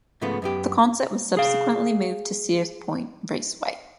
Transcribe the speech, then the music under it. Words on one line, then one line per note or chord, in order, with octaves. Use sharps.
The concert was subsequently moved to Sears Point Raceway.
G#2 C#3 F3 A3 B3
F#2 B3 G4
G#4 F5